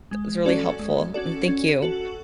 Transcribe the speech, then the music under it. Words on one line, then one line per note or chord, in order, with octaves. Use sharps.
that was really helpful, and thank you
G#3
C#4 F#4 A4 D5
G#3
C#4 F#4 A4 D5
C#4
F#4 A4